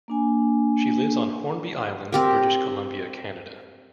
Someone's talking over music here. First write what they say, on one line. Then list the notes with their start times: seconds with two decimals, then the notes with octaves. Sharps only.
She lives on Hornby Island, British Columbia, Canada.
0.08 A#3 D4 G#5
2.12 C4 G4 A#4